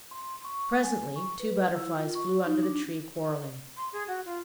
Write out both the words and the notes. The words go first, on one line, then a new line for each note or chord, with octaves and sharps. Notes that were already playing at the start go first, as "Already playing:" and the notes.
Presently two Butterflies flew under the tree, quarrelling.
C6
C#6
G#5
C#6
B4
E4
F4
C#6
D#4
D4
C6
G#4
F#4
F4